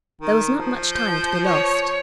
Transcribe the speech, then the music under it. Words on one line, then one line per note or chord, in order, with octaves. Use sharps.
There was not much time to be lost.
D#3
F3
G6
C#5